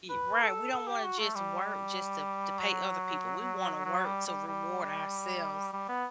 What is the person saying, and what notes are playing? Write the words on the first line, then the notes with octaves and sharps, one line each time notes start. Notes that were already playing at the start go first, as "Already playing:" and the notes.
Ye right. We don't wanna just work just to to pay other people. We wanna work to reward ourselves.
B4
A4
A4
G4
F#4
A3
G3
F#3
F#3
G3
G3
G3
G3
B3